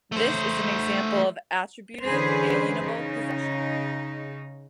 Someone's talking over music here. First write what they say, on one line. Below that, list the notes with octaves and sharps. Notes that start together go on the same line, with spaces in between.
This is an example of attributive, alienable possession.
A3 C5
D3 E3 C#4 G#4 B4 C5
C#3 D#4